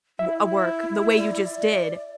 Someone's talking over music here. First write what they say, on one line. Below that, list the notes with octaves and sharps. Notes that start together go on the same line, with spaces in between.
w a work the way you just did,
E4 E5
D5